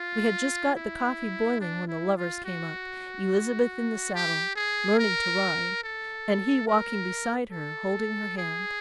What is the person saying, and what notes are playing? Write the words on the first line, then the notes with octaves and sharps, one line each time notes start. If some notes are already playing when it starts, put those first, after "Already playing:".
We had just got the coffee boiling when the lovers came up, Elizabeth in the saddle, "learning to ride," and he walking beside her holding her hand.
Already playing: F4
E4
D4
E4
F4
F#4
G4
G#4
A#4
A4
A#4
A4
G#4